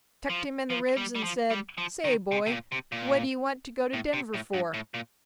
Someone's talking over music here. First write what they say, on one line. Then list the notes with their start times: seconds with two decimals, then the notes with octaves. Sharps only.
Chucked him in the ribs and said, 'Say, boy, what do you want to go to Denver for?
0.30 F3
0.70 F3
0.97 G3
1.15 G3
1.24 F3
1.51 G3
1.78 F3
2.04 D#3
2.32 C3
2.46 C3
2.52 A#2
2.72 C3
2.92 A#2
3.93 A2
4.13 C3
4.34 A2
4.53 G2
4.74 A2
4.94 A#2